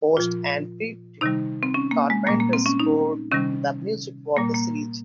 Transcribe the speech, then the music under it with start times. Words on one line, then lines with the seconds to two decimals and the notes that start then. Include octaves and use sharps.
Post and Pete Carpenter scored the music for the series.
0.17 A#2 F3 F4
1.21 C3 D#3 G3 D#4
1.63 C4
1.74 C#4
1.91 A#3
2.10 G#3
2.27 A#2 G3 A#3
2.40 A#3
2.53 C4
2.66 C#4
2.80 D#4
3.31 C3 D#3 G3 C#4
4.37 A#2 G3 A#3
4.54 A#3